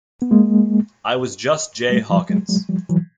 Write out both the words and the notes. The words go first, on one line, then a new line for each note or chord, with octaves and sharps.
I was just Jay Hawkins.
B3
G#3 A#3
G3 A3
F3 G3
F#3 G#3
F#3 G#3
F3 G3
E3 F#3